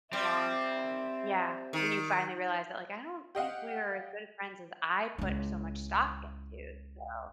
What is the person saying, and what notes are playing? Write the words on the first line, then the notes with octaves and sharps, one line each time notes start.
Long time, yeah, when you finally realize that, like, "I don't think we are as good friends as I put so much stock into," so
G3 C4 E5
D#3
G4 D#5 F5 F#5
C#2 E4